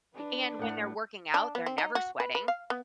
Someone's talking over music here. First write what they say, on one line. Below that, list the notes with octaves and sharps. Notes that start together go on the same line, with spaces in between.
and when they're working out, they're never sweating.
D4 B4
A2 F#5
D4
B3
C4
D#4
F#4
B4
B4
F5
B3